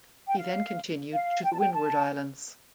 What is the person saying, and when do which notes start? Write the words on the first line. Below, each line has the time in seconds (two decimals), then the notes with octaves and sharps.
He then continued to the Windward Islands.
0.27 G5
0.38 F5
1.13 F5
1.44 G5
1.52 A5
1.59 G5
1.74 A5